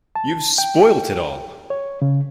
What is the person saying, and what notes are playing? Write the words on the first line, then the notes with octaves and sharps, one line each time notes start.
You've spoilt it all!
A5
G5
C#5
C#3